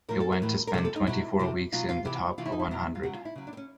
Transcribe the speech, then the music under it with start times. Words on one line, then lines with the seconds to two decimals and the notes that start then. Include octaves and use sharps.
It went to spend twenty-four weeks in the top one hundred.
0.08 A2 F3 A#4
0.20 A4
0.32 A#4
0.42 A2 E3
0.67 A#4
0.74 C3 F3 A4
0.85 A4
0.96 D#4
1.07 B2 F#3 E4
1.39 C3 E3
1.72 B2 F#3 F4
1.89 F4
2.05 C3 E3 E4
2.38 C3 E3 F4
2.46 E4
2.52 D#4
2.59 E4
2.71 B2 F#3
2.95 F4
3.03 C#3 F#3 F#4
3.14 F4
3.25 E4
3.35 C#3 F#3
3.47 D4
3.53 C4
3.57 C#4